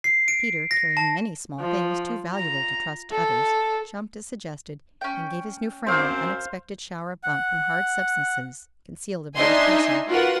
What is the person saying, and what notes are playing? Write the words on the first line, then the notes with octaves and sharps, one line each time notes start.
Peter, carrying many small things too valuable to trust to others, jumped, as suggested, and gave his new friend an unexpected shower of bumps from hard substances concealed about his person.
C7
D7
A#6
A5
F3
A#5
A4
C#4 G5
F#2 C4 C5 F5
F#5
D4 D#4 D#5 E5 G#5 C6
F4 F#4 A#4 B4 F#5